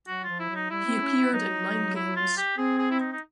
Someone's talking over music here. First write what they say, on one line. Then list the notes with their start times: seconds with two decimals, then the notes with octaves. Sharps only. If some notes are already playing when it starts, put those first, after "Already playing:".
He appeared in nine games.
0.07 F#3 F#4
0.24 F3 F4
0.39 E4
0.49 F#3
0.55 D#4
0.70 G3 E4
0.86 C4
1.01 C#4
1.17 C4
1.33 F#3 D#4
1.95 E4
2.17 F4
2.37 G4
2.58 C4 G#4
2.79 G#4
2.91 E4
3.00 D#4
3.12 D#4